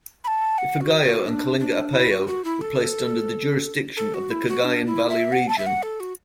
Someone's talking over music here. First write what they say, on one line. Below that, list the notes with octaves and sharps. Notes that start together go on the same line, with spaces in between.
Ifugao and Kalinga-Apayao were placed under the jurisdiction of the Cagayan Valley region.
B5
A5
F#5
F#4
F#4
D4
D4
E4
F#4
F#4
E4
A4
A4
F#4
E4
F#4
D4
E4
E5
F#5
A5
E5
F#5
A4
F#4